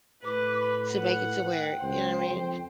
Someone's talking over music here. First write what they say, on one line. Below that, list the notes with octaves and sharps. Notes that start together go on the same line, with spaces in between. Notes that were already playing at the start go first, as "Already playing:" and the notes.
to make it to where you know I mean?
A2 B4 D6
B5
B4 F#5
G5
C#2 C5
F2